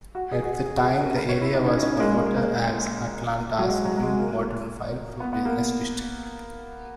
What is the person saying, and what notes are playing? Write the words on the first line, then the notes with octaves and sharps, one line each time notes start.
At the time, the area was promoted as "Atlanta's new modern fireproof business district".
F#4
G#4
F#4
G#4
G#4
F#4
G#4
A#4
A#4
C#5
E4
D#4
C#4
D#4
C#4
A#3
G#3
A#3
G#3
A#3
F#3
G#3
F#3
F#3
G#3
A#3
B3
B3
A#3